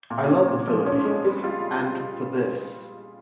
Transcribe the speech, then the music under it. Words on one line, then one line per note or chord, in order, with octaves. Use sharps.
I love the Philippines - and for this...
A#2
C#4
A#2
F3
C#4
G#3
G3
F4